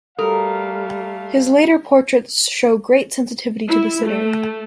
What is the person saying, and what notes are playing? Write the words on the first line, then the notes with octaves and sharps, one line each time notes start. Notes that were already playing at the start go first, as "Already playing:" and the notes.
His later portraits show great sensitivity to the sitter.
G3 A3 F#4 A4 A#4 F5
E4
A3